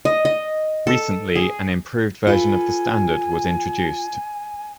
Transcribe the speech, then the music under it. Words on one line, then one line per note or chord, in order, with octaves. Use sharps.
Recently an improved version of the standard was introduced.
D#5
D#5
A4
G#4
F4 A4 B4 G#5